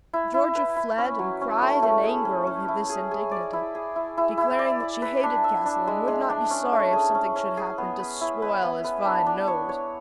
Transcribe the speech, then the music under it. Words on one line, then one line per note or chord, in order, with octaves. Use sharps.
Georgia fled, and cried in anger over this indignity, declaring that she hated Castle and would not be sorry if something should happen to spoil his fine nose.
E4
E4
B4
E4
C#4
F#3
C#4
A3
A3
G#4
C#4
C#4
E4
G#4
G#4
D5
E4
G#4
E4
E4
E4
D5
D5
B4
D4
E5
D4
G#3
G#3
D4
C#4
A3
G#4
C#4
C#4
G#4
B3
B4
E4
B4
B3
B4
D4
D4
C#5
C#5